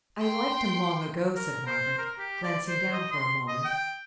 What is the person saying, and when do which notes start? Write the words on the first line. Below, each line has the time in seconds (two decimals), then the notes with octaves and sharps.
'I liked him long ago,' said Margaret, glancing down for a moment.
0.22 G5 C6
1.36 A#4
1.67 C5
1.98 A#4
2.19 G4
2.44 D5
2.67 C5
2.93 D#5
3.11 C6
3.48 D#5
3.65 G5